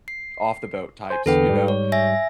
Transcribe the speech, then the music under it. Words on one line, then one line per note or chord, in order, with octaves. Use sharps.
off the boat types, you know?
C7
C5 G#5
E2 D3 A4 B4 G5
G#2 G3
C#5
E5 G#5 A#6